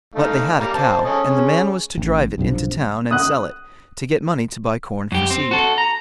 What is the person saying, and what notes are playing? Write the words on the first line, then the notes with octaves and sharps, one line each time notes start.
But they had a cow, and the man was to drive it into town and sell it, to get money to buy corn for seed.
A3 D#4 F5
G3 A#3 A#5
C4 A5
C#4 A4 D#5
G#3 C#4
A1
B1 G2 C3 F3
D#6 F#6
F#2 G4
C4
F#4 A4
A#5